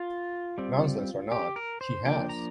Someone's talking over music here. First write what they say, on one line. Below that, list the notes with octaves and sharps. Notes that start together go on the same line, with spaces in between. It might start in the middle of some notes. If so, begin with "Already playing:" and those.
Nonsense or not, she has!
Already playing: F4
G3 C4
G4
A#4
C5
F3 A#3 D4 G5
A#5